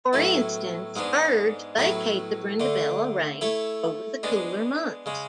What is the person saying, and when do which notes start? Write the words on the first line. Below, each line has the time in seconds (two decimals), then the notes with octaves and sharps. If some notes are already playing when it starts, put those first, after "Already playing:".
For instance, birds vacate the Brindabella Range over the cooler months.
0.13 A2 F#3 B3 E4 A4
0.96 G#2 G#3 B3 D4
1.78 A2 F#3 B3 E4 B4
2.60 D3 A3 D4
3.41 A3 E4 A4 C#5 E5
4.23 G#3 B3 D4
5.06 C#3 G#3